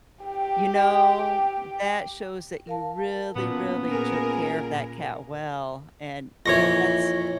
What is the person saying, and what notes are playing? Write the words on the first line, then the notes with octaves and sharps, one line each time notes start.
you know, that shows that you really, really took care of that cat well, and, you know, that's
G4 G5
A#4 F5 A5
A#2 B3 C#4
G#4 A#4
F2 A#2 E3 C#5 C#6 A#6